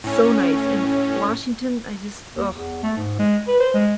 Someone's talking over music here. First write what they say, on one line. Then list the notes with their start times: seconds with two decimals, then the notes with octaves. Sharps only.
So nice. In W Washington, I just ugh,
0.04 A2 C#4
2.36 D#2
2.53 E2
2.83 A3
2.97 G#2
3.19 G#3
3.47 B4
3.60 C5
3.74 G#3